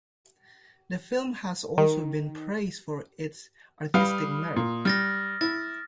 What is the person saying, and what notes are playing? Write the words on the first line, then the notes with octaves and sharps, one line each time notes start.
The film has also been praised for its artistic merit.
D#3
G3 B4 F5 D#6
A#2
G3 F6 A6 A#6
E4 A6